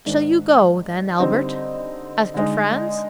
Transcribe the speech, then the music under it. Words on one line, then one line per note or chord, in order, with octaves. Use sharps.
"Shall you go, then, Albert?" asked Franz.
G#2 D#3 G#3 D4
D3 G3 C4 D#4
D3 G#3 D#4